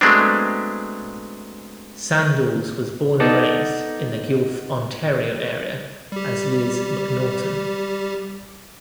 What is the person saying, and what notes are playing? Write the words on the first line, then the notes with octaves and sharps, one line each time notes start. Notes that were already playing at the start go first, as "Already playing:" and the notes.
Sandals was born and raised in the Guelph, Ontario area as Liz MacNaughton.
F#3 G#3 A3 B3 C4 D4
B3 D#4 A4 D5
G3 G4